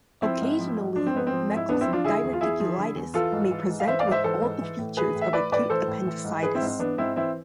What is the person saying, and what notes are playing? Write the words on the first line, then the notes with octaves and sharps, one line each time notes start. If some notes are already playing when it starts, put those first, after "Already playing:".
Occasionally, Meckel's diverticulitis may present with all the features of acute appendicitis.
F3 C4 E4
G#2
F3
G#2
F3 D4
C4
G#2 B3
C4
F3
G#2
E4
E2 B3 D4
C4 E4
F3
D4 F4
D3 E4 G#4
E2
F4
E2 E4 G#4
F3
D3
E2
E3 F4 A4
G#2
E3
G#2
F5
E3 C5 E5
D5 F5
G#2
C5 E5
E3 A4 C5
G#2
E3
A2
E3 G#4 B4
A2
E5
E3 B4 D5
A2 B4 D5
E3 A4 C5
A2
E3
G#2
E3 G#4 B4
C4 E4
G#2
C4
E3 B3 D4
G#2 C4 E4
E3 C4 E4